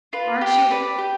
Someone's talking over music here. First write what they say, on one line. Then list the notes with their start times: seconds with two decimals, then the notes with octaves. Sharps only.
Aren't you
0.13 F4 B4
0.41 G4
0.71 B4 D5
0.98 G4